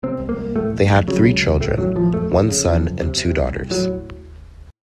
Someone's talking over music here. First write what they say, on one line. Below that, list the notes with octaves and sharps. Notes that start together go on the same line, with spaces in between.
They had three children, one son and two daughters.
C3 C4
C2
A#3
C2
A2 A3
A#1
A#1
C#3 F#3
C#2
C#2
A2 A3
A1 F#3
A1 F3
F2 A3
F1
C#3
F2
F#1
C3
C3
C2
C2
A2 F#3